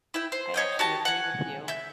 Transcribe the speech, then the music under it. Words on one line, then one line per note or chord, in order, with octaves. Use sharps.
I actually agree with you.
E4 G5
C5
C#5 D#5 G5
F#4 G4 A5
F#5 G#5
E5 G6